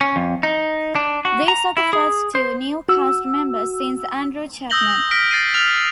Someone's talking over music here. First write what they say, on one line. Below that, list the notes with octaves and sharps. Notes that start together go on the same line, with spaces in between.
These are the first two new cast members since Andrew Chapman.
C#4
F2
D#4
D4
F#4
A#5
E4
G#4
C5
F#4 E6
D#6 E6 G6 A#6 F#7 G7
F6 A#6 B6 D7
A6 C7 D#7
F6 A6 F7